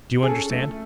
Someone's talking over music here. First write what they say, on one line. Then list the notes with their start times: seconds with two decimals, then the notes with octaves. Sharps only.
Do you understand?
0.23 G#4
0.29 C#4 A4
0.50 A3